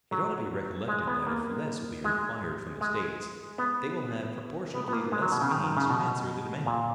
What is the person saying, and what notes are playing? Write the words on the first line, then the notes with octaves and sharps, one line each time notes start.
It ought to be recollected that if less will be required from the States, they will have proportionably less means to answer the demand.
F#3
G#3
B3
A#3
G#3
G#3
B3
B3
B3
A#3
G#3
F#3
B2
C#3
D#3
D#3
C#3
B2
A#2